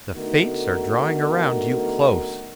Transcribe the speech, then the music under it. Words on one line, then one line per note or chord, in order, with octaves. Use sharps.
The fates are drawing around you close.
D3 A3 B3 D#4 F#4 A#4